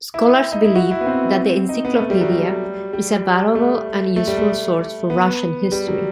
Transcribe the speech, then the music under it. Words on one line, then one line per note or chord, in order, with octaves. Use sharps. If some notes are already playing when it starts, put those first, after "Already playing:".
Scholars believe that the Encyclopedia is a valuable and useful source for Russian history.
E4
D#4
E4
F#4
E4
B3
C4
D#4
B3
A3
G3
F#3
G3
G3
A3
A3
G3
A3
B3
G3
F#3